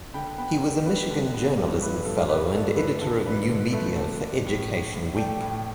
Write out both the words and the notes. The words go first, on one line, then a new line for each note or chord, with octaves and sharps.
He was a Michigan Journalism Fellow and editor of new media for "Education Week".
D3 G5 B5
B3 G5 B5
D4 A4
G3 B4
D3
B3
G2 A4 D5
E4 B4
G2 A4
G3 B4
G2 A4 D5
D5
E4 B4
D3 A4
D4 B4
D3 A4 D5
A3 B4 E5
D3
D4
A2
D4
A2
A3 D5 G5
A2